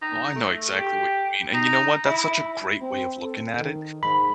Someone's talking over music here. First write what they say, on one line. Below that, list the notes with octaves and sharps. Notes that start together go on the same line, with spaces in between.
Oh, I know exactly what you mean, and you know what? That's such a great way of looking at it,
D#4
A3
G4
D#4
E4
C4
A4
D#3
G#2 B5